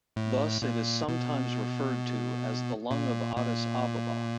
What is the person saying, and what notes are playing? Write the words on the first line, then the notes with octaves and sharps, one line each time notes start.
Thus, it is sometimes referred to as the "lung of Addis Ababa".
A2
A#2
B2
A#2
A#2